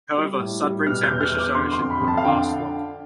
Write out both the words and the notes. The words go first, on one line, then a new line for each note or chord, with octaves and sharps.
However, Sudbrink's ambitious ownership wouldn't last long.
G3
A2
G3
B2 F6
G6
E2
F6
E2
D6
D3 C6
C6
F2
B5
F2
A5
F5
D3 G5